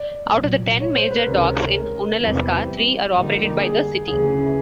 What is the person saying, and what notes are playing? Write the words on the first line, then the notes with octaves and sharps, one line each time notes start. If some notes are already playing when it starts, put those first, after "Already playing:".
Out of the ten major docks in Unalaska, three are operated by the city.
Already playing: D5
C2 A#2 F#3
C#5
C5
B4
C#2 C3 D#3 G#3 C#4 A#4
A#4
E2 C3 E3 G3 C4
F2 D3 G3 A#3 D#4
G#4
D2 C#3 E3 G#4